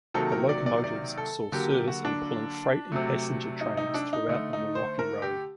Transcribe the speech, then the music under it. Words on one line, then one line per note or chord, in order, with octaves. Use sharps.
The locomotives saw service in pulling freight and passenger trains throughout the Milwaukee Road.
C3 D#3 F#3 A#3 A4
A#4
D5
D5
D5
A4
D3 F#3 A#3 G4
G4
F#4
D4
C3 F#3 A3
D#4
D#4
D4
D#4
D3 A3 D#4
D#4
C5
A#4
G4